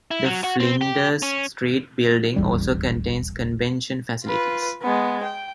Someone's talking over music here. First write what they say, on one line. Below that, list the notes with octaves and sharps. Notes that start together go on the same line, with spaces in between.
The Flinders Street building also contains convention facilities.
E4
F#3
F#4
C4
G4
C#4
D#1 A1 E2 G3
F4 B4
G#3 B3
G5